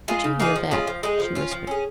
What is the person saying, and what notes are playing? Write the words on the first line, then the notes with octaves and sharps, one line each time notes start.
"Did you hear that?" she whispered.
G#3 F4 G#4
C#3
A#3 D#4 G#4
F3
G#3 C#4 F4
F3
G#3 D#4 G#4
F3
C#4 F4
F3
C#4 G#4